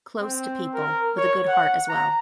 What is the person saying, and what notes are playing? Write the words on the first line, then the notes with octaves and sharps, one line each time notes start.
Close to people, with a good heart as well.
C4
A#4
C#5
F#5
A#5